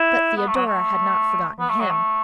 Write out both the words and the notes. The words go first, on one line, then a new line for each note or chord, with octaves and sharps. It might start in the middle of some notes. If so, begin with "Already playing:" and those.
But Theodora had not forgotten him.
Already playing: E4
B3
A3
F#3
A3
B3
A3
F#3
A3